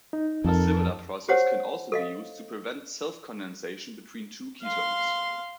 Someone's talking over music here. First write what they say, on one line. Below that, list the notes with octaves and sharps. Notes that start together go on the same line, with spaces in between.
A similar process can also be used to prevent self-condensation between two ketones.
D#4
F2 A4 A#4
G4 C5 C#5 F#5
A4 D#5 F5
F5 C6